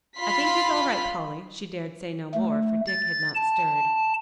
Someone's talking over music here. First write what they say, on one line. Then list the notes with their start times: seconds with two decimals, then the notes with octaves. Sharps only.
"I think he's all right, Polly." She dared say no more, for Dick had not stirred.
0.19 F4 F5 B5 C6 B6
2.34 A3
2.87 A6
3.35 A5